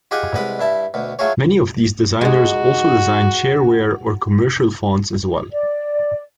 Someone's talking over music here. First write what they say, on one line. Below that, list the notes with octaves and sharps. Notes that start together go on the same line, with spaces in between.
Many of these designers also design shareware or commercial fonts as well.
F4 G4 G#4 D#5 F#5 G#5
C2 G#3 B3 D#5 B5
G2 E4 A5
D2 B2
F#3 A3 F4 G#4 C#5
G#3 D#4 F#4
D5